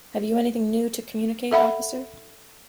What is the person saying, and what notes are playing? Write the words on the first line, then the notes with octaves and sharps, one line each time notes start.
Have you anything new to communicate, officer?
A4 E5 F#5 B5